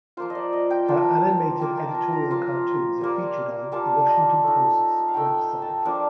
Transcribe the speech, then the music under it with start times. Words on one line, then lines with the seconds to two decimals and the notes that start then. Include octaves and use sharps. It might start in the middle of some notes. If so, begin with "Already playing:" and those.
Her animated editorial cartoons are featured on "The Washington Post"'s website.
0.17 F3 A#3 F4 C5
0.30 D#5
0.35 D5
0.53 D#5
0.71 G5
0.88 F3 A#3 F4 A5
1.59 F3 A#3 F4 G5
1.77 A5
1.95 A#5
2.13 A#5
2.31 F3 A#3 F4
3.01 G3 A#3 F4
3.72 G3 A#3 F4 A5
4.07 D#5
4.43 A3 D#4
5.08 F5
5.14 A3 D#4 G5
5.38 G5
5.62 A5
5.85 F3 A#3 D4